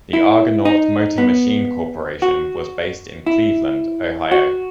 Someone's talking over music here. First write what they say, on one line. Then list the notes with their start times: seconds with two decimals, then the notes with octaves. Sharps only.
The Argonaut Motor Machine Corporation was based in Cleveland, Ohio.
0.13 E4
0.65 D#4
1.18 B3
2.22 F#4
3.26 E4
4.31 F#4